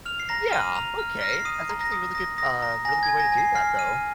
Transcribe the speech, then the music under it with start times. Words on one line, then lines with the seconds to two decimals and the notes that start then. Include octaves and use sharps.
Yeah, Okay, that's actually a really good uh, really good way to do that though.
0.06 F6 F7
0.20 C7
0.29 A#5 A#6
0.52 F6 D#7
0.75 A#5 F7
0.99 F6
1.21 F6 A#6
1.33 C7
1.45 D#6 D#7
1.69 A#5
1.81 A#6
1.92 D#6
2.15 D#6 A#6
2.38 D#6 A#6
2.62 A#5 A#6
2.85 G#5 A#6
3.03 G#6
3.09 G#5
3.20 A#6
3.32 G#5
3.38 C7
3.55 F6 C7
3.79 F6 D#7